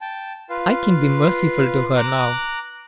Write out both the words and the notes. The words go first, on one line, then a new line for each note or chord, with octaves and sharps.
"I can be merciful to her now."
G5 A5
F4 B4 F5
A#5 D6 F#6